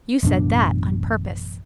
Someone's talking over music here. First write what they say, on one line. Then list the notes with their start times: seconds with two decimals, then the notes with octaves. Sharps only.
You said that on purpose!
0.23 A1 F#2 B2 D4